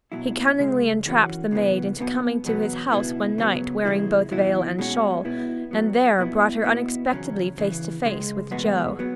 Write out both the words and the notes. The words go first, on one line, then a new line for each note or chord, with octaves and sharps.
He cunningly entrapped the maid into coming to his house one night wearing both veil and shawl, and there brought her unexpectedly face to face with Joe.
B1 B2 F#3 E4
C#2 C#3 G#3
F#2 E3 C#4 F#4
C#2 C#3 E3 B3
B1 B2 B3
E2 B2 F#3 B3
C#2 B2 B3 E4
C#3 F#3 B3
E2 C#3 G#3 E4
E2 B2 F#3 E4
B2 G#3 C#4 F#4
B2 B3 E4
F#2 F#3 B3
B2 B3 E4
B2 B3 E4
E2 C#3 F#3 C#4
E2 C#3 E3
C#2 C#3 G#3
E2 B2 G#3 B3 F#4
F#3 B3